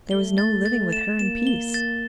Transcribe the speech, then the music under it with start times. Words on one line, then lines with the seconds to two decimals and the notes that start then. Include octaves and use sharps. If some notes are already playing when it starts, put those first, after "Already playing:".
There was no living with her in peace.
0.11 A3 G7
0.38 A6
0.66 A6
0.93 E7
1.19 A#3 E7
1.47 G7
1.74 A6